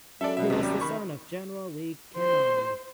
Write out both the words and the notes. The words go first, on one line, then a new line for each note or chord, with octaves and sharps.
He was the son of General Li Kenong.
F#2 G#3 D4 A4 D5 E5
B2 E5
D#2 C3
G3
D#3 B5 C#6
C5